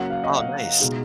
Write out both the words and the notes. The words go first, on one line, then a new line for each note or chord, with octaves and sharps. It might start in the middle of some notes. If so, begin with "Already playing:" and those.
Oh, nice.
Already playing: C#3 F#3 A#3 F#5
F5
D#5
F5
B2 G#3 D#4